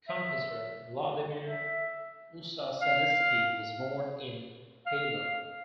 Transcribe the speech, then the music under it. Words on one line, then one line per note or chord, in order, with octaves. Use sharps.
Composer Vladimir Ussachevsky was born in Hailar.
E5
E5
F5
F5